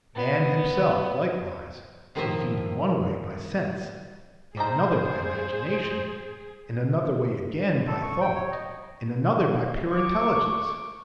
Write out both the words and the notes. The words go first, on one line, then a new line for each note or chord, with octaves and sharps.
Man himself, likewise, is viewed in one way by Sense, in another by Imagination, in another way, again, by Thought, in another by pure Intelligence.
B3
A2 D#3 F3 A#3 D#5 E5
G3 D#4 G#4 C5 A#5
A4
C#6
G5
C#5
D#5
C#6 D6